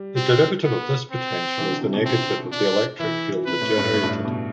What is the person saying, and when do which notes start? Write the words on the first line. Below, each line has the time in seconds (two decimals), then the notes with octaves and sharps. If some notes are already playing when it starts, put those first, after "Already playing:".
The derivative of this potential is the negative of the electric field generated.
Already playing: G3
0.16 C4
0.64 B3
1.11 C4
1.58 E3
1.70 D3
1.81 C3
1.93 B2
2.04 C3 C4
2.52 D4
2.99 E3 E4
3.47 C3 B4
3.61 A2
3.78 G2
3.93 A2
4.03 G2
4.09 A2
4.25 B2